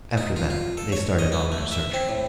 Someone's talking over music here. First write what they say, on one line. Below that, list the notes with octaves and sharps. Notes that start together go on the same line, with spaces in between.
After that, they started on their search.
D#4
F4
F4
A4
C#5
D#5
B3
A3
E5
C4
A2